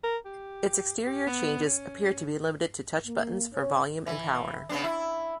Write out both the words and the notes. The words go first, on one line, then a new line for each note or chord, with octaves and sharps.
Its exterior changes appear to be limited to touch buttons for volume and power.
A#4
G4
G4
B3
C#4
A#3
C#4
E3
C#3 B3 D4
E4